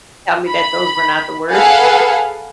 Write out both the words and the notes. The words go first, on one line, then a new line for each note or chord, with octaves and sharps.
tell me that those were not the words.
B5
G#4 A4 B4 F5 F#5 G#5